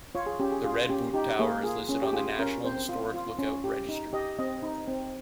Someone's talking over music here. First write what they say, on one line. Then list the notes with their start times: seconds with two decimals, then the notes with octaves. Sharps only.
The Red Butte tower is listed on the National Historic Lookout Register.
0.15 F4 C#5
0.26 G#4
0.40 C#4 G4
0.52 G#4
0.64 F4 G#4
0.89 C#4 G4
1.14 D#4 G4
1.39 A#3 G#4
1.64 F4 G#4
1.89 C#4 G#4
2.02 G4
2.13 F4 G#4
2.39 C#4 A#4
2.64 C4 C5
2.89 F4
3.14 F4
3.39 C#4
3.64 G4
3.89 D#4
4.13 G4 D#5
4.39 C4 D#5
4.63 D#4
4.88 C4